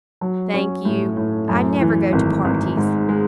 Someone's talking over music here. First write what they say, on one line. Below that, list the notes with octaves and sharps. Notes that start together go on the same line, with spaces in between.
'Thank you, I never go to parties.'
F#3
C#4
A2
A2
F#2
E3
G#1
G#1
G#2
G#3